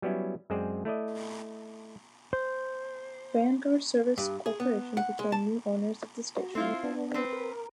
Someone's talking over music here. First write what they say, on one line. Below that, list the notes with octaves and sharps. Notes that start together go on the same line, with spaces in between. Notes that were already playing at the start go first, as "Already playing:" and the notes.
Vanguard Service Corporation became new owners of the station.
F#3 G3 B3 C#4 E4
F#2 G#3 C4 G#4 C5 D5
A3 E4 D5 D#5
C5
G2
G#4
B3
F#5
G#3
A5
F#4
A3 C4 E4 F4
B3 D4
C4 B4
A#4